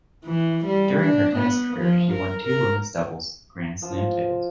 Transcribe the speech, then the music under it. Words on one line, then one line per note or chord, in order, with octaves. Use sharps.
During her tennis career, she won two women's doubles Grand Slam titles.
E3
G3
D4
B3
F3
A#4
A#4
F3